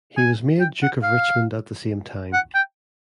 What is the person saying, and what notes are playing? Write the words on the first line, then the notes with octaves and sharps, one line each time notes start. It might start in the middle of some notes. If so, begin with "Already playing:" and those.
He was made Duke of Richmond at the same time.
G#5
G5
F#5
F5
F#5
G5